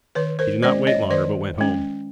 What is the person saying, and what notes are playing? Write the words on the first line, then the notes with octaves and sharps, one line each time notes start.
He did not wait longer but went home.
D#3 B4 C#5
A#4 C5
G#3 C#4 C5 D5
C#5 D#5
D#3 C5 D5
G#3 C#4